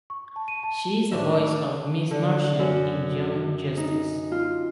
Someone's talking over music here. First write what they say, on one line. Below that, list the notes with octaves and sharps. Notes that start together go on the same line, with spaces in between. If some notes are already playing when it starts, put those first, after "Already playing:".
She is the voice of Miss Martian in "Young Justice".
C#6
A5
D#7
A5
A1 D2 D4 E5
D3
F#2
D#4
F4